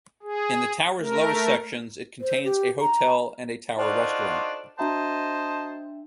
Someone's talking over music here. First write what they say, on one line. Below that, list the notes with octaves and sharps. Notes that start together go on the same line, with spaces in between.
In the Tower's lowest sections it contains a hotel and a tower restaurant.
G#4
A3 A#4
C5
G4
A#5
D4 D#4 F4 F#4 A4 C5 D5
D4 F#4 C5 D#5 E5 G5 A5 A#5